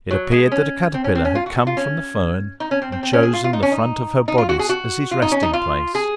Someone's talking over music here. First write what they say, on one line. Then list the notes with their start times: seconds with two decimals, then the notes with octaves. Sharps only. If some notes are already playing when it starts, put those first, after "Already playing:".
It appeared that a caterpillar had come from the fern and chosen the front of her bodice as his resting place.
0.11 F#3
0.32 G#3
0.52 C#4
0.94 C4
1.04 C#4
1.15 C4
1.25 C#4
1.35 F4
1.46 F#4
1.57 F#4
1.67 F4
1.77 C#4
2.60 D#4
2.71 C#4
2.82 C4
2.92 C4
3.03 C4
3.13 C#4
3.23 G#4
3.33 F4
3.44 F4
3.53 D#4
3.63 C#4
3.72 D#4
4.28 D#4
4.38 F4
4.49 F#4
4.59 G#4
4.69 F#4
5.11 F4
5.22 D#4
5.32 C#4
5.43 D#4
5.53 F4
5.95 G#4